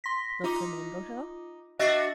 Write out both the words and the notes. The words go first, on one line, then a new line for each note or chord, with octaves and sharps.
Not remember her?
C6 A#6 B6
D#4 F4 D6
D4 F#4 D#5 E5 A6